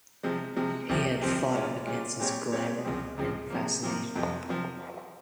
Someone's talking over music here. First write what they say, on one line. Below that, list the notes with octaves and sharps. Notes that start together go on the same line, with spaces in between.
He had fought against his glamour and fascination.
C3 F3 G#3
C3 F3 G#3
C2 C3 F3 C4 G4
C2 C3 F3 C4 G4
A#2 G#3 C#4 F4
A#2 G#3 C#4 F4
A#2 G#3 C4 G4 C#5
A#2 G#3 C4 G4 C#5
C#2 C#3 F3 G#3 C4
C#2 C#3 F3 G#3 C4
C3 F3 A#3
C3 F3 A#3
F2 C3 F3
C3 F3